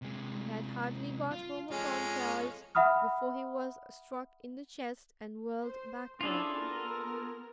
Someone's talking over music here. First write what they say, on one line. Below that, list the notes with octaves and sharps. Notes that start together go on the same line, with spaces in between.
He had hardly got home upon Charles before he was struck in the chest and whirled backward.
C3 G#3
F4
G#3 C#4 F4 A4
E5 F#5 B5 D#6 F6
C5
C#4 D4 E4 F4 G#4 A4
B3 A#4